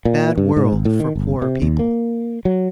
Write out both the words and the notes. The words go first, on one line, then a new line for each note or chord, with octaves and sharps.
"Bad world for poor people."
A#2
G2
G#2
G#1
A2
D#3
G1
C3
D#2
A#3
F#3